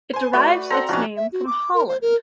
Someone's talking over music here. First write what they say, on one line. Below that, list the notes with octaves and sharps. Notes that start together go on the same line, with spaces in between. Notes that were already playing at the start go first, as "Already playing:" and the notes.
It derives its name from Holland.
C5 G#5
A3 F#4 B4 D5
C4 A4 C5 F#5 A#5
B1 F3 C#4 D4 F#4
E5
F#4
D6
A#4
C5
A#4